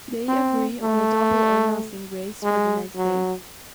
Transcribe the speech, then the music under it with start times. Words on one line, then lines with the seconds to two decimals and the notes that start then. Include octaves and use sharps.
They agree on a double or nothing race for the next day.
0.28 C4
0.82 A3
2.43 G#3
2.96 F#3